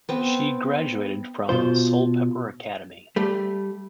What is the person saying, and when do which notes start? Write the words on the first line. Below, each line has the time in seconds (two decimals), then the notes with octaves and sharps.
She graduated from Soulpepper Academy.
0.09 B3 C4
1.49 B2 F4 C5
3.16 G3 A3